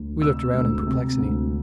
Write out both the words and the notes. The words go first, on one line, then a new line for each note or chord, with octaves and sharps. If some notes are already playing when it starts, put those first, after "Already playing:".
We looked round in perplexity.
Already playing: D2
C3 E6
D2
C3
D2